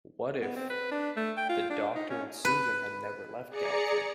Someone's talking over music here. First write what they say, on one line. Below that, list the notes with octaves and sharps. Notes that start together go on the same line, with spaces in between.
What if... the Doctor and Susan had never left Gallifrey?
B3
C4
B4
D4
A3
G5
F4
D4
D#4
C#4
B4
G#4 D5 A#5 C#7